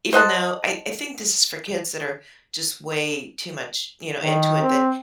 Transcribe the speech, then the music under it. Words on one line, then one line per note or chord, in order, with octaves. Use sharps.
even though I I think this is for kids that are just way too much, you know, into it that
C5 D#5 F#5 A5
D#3
C4